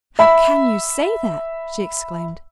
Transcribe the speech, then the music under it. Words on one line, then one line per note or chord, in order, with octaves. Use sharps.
"How can you say that?" she exclaimed.
E5 B5